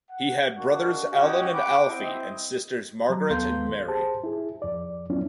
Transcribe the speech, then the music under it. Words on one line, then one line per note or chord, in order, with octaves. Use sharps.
He had brothers Alan and Alfie and sisters Margaret and Mary.
F#5
G#3 D4 F#4 A#4 F5
C#4 F#4 G4 D#5 G5
F#5 G5 B5 D6
C4 E4 D#5
F#3 A#5
D#2 B3 A4 F5 C6 G6
G4 G#4 C5 A5
E4 G#4
F2 D5
F#3 B3 C#4 D4 E4 F4